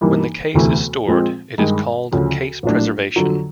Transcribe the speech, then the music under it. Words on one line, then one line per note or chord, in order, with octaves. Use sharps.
When the case is stored, it is called case preservation.
G2 E3 G3 A#3 D#4
E1 D2 C3 E3 A3
A#2 F3 G#3 C4
G2 D#3 G#3
D2 C#3 F3
A#1 A2 F#3 A3 D4
F2 D3 F#3